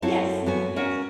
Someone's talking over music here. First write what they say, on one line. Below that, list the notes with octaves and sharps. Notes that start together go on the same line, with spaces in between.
Yes. Yes.
F#2 C4 E4 F#4 A4
F#2 B3 F#4 G#5
C#4 F#4 A#4